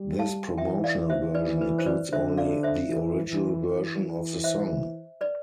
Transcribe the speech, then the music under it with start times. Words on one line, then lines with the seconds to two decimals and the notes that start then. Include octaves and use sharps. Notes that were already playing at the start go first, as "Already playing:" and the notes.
This promotional version includes only the original version of the song.
Already playing: G3
0.19 F5 A5
0.57 E3 E5 G5
0.84 D5 F5
1.10 C5 E5
1.35 E3 B4 D5
1.61 B4
1.78 C5
1.86 B4 D5
2.12 D3 C5 E5
2.38 D5 F5
2.63 C5 E5
2.89 E3
3.29 E3
3.66 E3
4.44 C5 E5
5.21 B4 D5